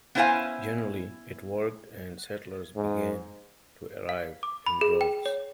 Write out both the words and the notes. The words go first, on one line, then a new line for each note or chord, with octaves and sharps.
Generally it worked and settlers began to arrive in droves.
B3 C#4 E4 C5 F5 G#5
G#2
F5
D6
B5
G#4
G5
C#5